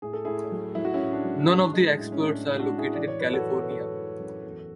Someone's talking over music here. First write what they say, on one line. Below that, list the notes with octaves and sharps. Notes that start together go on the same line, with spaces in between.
None of the experts are located in California.
A2 G#4
A4
A2 E4 G#4
F#3
F#3 E4
F#4
C#4 E4
A2
D4
F#3
A2 D4
G#3
A2
C#4
A2 D4
A2
D4 F#4
A2
E4 G#4
E3 D5
C#5
F#2 B4
F#4 A4
E3
B4
G#3 F#4 A4
E3
F#2
E2